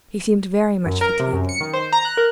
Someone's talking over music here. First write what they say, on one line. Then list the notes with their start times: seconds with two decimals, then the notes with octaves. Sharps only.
He seemed very much fatigued.
0.86 F#2
1.01 A#4
1.20 C3
1.33 F#2
1.49 C#7
1.61 D#3
1.73 C5
1.92 A#5
2.05 F#6
2.17 A#4